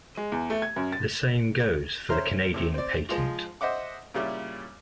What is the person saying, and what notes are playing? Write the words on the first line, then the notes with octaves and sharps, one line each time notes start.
The same goes for the Canadian patent.
G#3
E2
A3
G#6
F#2
A6
C#4 C5 E5 A#5 C6 F6
A2 C3
C4 D5
F3 G#3 F4
C5 D#5 E5 F#5 D6
A#2 C#3 G3 E4